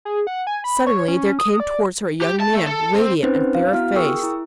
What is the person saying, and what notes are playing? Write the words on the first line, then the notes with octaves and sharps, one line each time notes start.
Suddenly there came towards her a young man radiant and fair of face.
G#4
F#5
G#5
B5
C#5
C#4
D#6
D5
G4
A5
A3
A4
C4
C4 C#4 D#4 B4 C5
F5
B3 E4 F#4 F6
G#4 A#4 G5 C#6 D#6 E6
E4